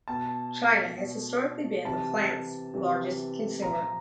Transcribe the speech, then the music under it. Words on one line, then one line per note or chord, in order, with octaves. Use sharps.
China has historically been the plant's largest consumer.
B2 A5
B2
C3 E3 A5
C3 E3
A#2 F3 A#5